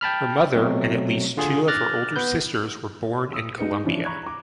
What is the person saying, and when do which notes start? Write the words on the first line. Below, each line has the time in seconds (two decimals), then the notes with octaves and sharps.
Her mother and at least two of her older sisters were born in Colombia.
0.01 G5 A5 B5 F6
0.56 B2 F#3 A3 C4
1.37 D3 F4 G#4
1.68 D6 F6 F#6 A6 A#6
2.16 B3 B4 G6
3.33 D#6 E6
3.58 G#3 D#4 B4 C#7
3.84 E3 F3 C#4 D4 E4
4.05 A#5 B5 C#6 F#6 G#6
4.23 A#5 D6